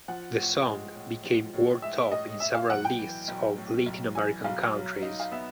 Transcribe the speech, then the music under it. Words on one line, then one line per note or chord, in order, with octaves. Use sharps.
The song became world top in several lists of Latin American countries.
F3 F#5
A2
G#3
A2
F3
A2
G#3 E5
A2 D#5
A2 E5
F5
B1 F#5
G5
E3
B1
A2
B1
E3 G#5
B1 F5
F#3
D#4
F5
B3 E5